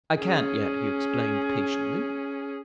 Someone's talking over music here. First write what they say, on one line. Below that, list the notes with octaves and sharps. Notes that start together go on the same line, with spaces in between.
"I can't yet," he explained, patiently.
C#4 G#4